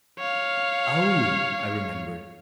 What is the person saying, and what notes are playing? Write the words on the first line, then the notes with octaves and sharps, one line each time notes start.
"Oh!" I remembered.
C#5 F5